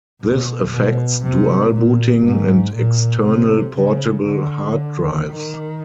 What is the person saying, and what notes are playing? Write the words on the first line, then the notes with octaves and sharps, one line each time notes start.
This affects dual-booting, and external portable hard drives.
B2
B2
C3
A#2
G#2
A#2
C3
C#3
D3
D#3